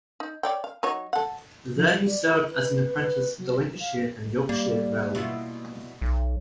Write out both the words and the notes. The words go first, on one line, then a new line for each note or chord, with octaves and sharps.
There he served as an apprentice with the Lancashire and Yorkshire Railway.
D#4
C#5 D5 G5
F5
F#3 D#4 C#5
A4 F#5
F3
G3
D5
E4
B4
B4
F#3
F5
G3 A#3
B2 E4 F4
B1